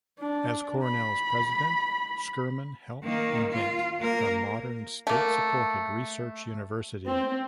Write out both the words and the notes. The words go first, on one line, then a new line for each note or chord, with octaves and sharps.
As Cornell's president, Schurman helped invent the modern state-supported research university.
D4
B5
D#3 A#3
F4
A#3 A#4
A3 A#3
C4